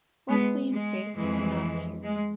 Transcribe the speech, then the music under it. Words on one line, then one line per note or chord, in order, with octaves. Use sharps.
Wesley and Faith do not appear.
G#3 B3
G#3
F2 E3 G#3
G#3